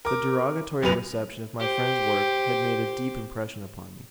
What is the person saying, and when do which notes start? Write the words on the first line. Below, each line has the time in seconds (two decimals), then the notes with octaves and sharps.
The derogatory reception of my friend's work had made a deep impression upon me.
0.05 A#4 D6
0.82 F#1 F#2 B4 F7
1.59 G4 C5